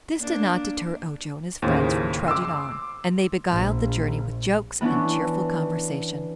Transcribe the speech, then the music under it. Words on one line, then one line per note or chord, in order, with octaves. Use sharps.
But this did not deter Ojo and his friends from trudging on, and they beguiled the journey with jokes and cheerful conversation.
A#3 D4
D#2 A2 C#3 C5
C6 D6 E6
A#1
E3 B3 C#4 D4 E4